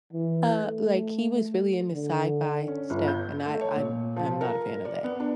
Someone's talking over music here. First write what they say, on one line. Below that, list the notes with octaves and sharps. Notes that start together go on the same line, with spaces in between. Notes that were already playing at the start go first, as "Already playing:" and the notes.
uh, like, he was really into sci-fi stuff and I I'm I'm not a fan of that
E3
A3
D3
C#4
G1
G6
A3
C#5
A#2
F3
A#4
D5
B3
D4